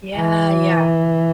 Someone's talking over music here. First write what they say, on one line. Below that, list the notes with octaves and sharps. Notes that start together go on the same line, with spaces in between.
Yeah, yeah.
E3